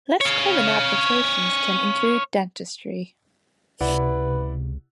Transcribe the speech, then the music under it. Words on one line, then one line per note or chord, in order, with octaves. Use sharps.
Less common applications can include dentistry.
C#5 F5
C#2 C3 E4 B4 D5 F#5